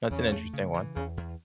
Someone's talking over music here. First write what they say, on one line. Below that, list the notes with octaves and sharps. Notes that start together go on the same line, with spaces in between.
That's an interesting one.
E2 C#3
A3
C#3
E3
E2 C#3
E2